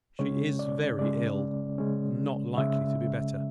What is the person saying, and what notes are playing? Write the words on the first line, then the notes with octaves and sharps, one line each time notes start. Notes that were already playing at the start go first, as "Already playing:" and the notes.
"She is very ill;--not likely to be better."
C#3 G#3 C#4 C#5
D5
C#3 G#3 C#4 D5
C#3 G#3 C#4
C#3 G#3 C#4 E5